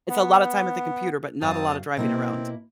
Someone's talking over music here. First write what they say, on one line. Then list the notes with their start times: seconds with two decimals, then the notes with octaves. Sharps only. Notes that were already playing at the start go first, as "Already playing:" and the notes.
it's a lotta time at the computer, but not a lot of driving around.
0.09 B3
1.41 F#2 C4 F5 A5 D#6
1.97 B2 A#3 C4 E4